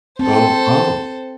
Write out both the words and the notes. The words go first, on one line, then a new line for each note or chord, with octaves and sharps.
Oh. Oh.
C4 A4 C5